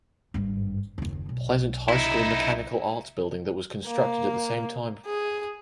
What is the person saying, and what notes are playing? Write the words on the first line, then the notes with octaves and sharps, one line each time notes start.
Pleasant High School Mechanical Arts Building that was constructed at the same time.
G#1 G2
F#1 D#2
B1
D#4 E4
A#3
G#4